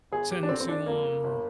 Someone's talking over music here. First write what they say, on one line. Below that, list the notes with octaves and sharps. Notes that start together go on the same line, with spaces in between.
tend to, um
G1 G#4
G4
D4
D3 C4
C4
D4
F2 A#3
G1